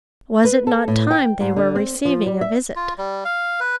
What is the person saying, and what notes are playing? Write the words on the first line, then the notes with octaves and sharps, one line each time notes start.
Was it not time they were receiving a visit?
B4
A4
A2
G5
G#2
D3
C4
F3
G3
E5
F4
G3
F5
B4